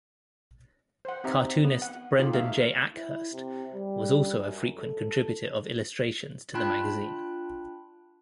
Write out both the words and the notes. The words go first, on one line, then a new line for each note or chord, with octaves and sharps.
Cartoonist Brendan J Ackhurst was also a frequent contributor of illustrations to the magazine.
C5 F#5
C4 D#4 G4 E5 F#5 A#5
B3
F#5
D#4 F4 G4 A4
A3 A#3 E5 F5
E4
C3
G3
F#2
A4
D4 F4 G5 A5 B5 F#6